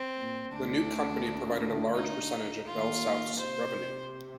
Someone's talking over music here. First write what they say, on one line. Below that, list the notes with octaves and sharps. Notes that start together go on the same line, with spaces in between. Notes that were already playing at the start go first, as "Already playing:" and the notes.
The new company provided a large percentage of BellSouth's revenue.
Already playing: C4
A#2
D2 D3 D4
D#4
D#2 D#3 F4
C3 C5